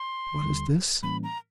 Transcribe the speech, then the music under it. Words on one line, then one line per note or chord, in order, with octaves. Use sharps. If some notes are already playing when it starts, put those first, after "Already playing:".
"What is this?"
Already playing: C6
D#2 D3 G3
A2 E3 G3 A#3 C#4 B5
A#5